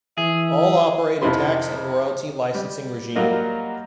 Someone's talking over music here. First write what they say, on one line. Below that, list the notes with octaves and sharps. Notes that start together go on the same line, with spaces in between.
All operate a tax and royalty licensing regime.
E3 G#4 E5
F2 C3 D#4 E4 B5 C6
G3
F#3 G3 A#3 F4 A#4 D#5